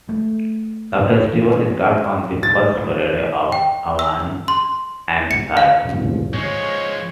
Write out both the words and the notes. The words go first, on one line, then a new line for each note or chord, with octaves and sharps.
The festival starts on the first Friday of Avani and Thai.
A3
E3
A6
G5
E6
C6
C#7
F5
F3 G#3 C#5